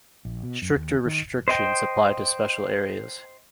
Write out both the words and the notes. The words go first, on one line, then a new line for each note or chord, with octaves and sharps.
Stricter restrictions apply to "special areas".
A#1
B2
F#2
D#2
D#3
C5 D#5 G5